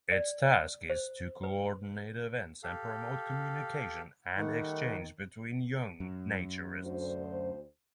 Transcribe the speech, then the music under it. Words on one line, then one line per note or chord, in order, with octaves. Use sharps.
Its task is to coordinate events and promote communication and exchange between young naturists.
D5
C5
B4
G4 A4 F5
D#3 G3 A3 F#5
F#2
D2 C5